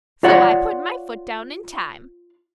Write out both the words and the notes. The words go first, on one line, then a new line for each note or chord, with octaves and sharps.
So I put my foot down in time.
F4 C#5 D5 F#5